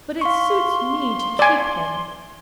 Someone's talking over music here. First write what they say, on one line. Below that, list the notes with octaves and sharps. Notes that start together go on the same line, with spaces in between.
But it suits me to keep him.
F5 C6 C#6
D5 G#5